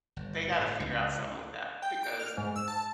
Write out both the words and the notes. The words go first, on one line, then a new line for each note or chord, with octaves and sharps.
they gotta figure out something with that because
G1
A2
C#2
G5
D7
F6
G#2
E6
A5